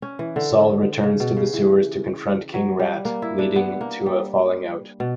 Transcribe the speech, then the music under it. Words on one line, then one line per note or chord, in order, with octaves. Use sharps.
Saul returns to the sewers to confront King Rat, leading to a falling out.
C#4
E3
D3
C#3
B2
C#3
E3
F#3
G3
A#3
E4
D4
B3
A#3
G3
B2